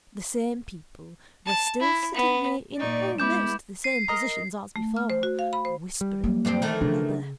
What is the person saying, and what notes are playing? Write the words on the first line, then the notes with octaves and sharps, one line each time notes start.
The same people were still sitting here in almost the same positions as before, whispering to one another.
A5
E4
B3
A#2 D#4 D5 C#6
G#3 B3 E4 D6 G6 E7
C7 D#7
A#4 D#5 A#5
A3
F6
C5
F#4
F5
B5
C5
G3
F#3 A#3
G2 F3 C4
D#3 E3 A3
C#3 D4